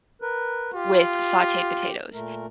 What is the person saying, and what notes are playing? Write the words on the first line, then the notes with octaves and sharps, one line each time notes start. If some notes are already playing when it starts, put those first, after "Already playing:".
with sauteed potatoes,
A#4 B4
F4 G4
A#2 A3 A#4